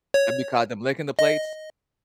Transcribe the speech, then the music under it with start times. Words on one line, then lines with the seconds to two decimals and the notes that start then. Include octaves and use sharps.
Have you caught them licking the plates?
0.14 C#5
1.19 D#5